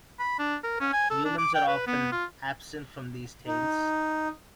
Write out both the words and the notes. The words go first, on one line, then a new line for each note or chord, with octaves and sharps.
Humans are often absent from these tales.
B5
D4
A#4
C#4
G#5
A4
D4
D6
G5
B4
B3
F4
D#4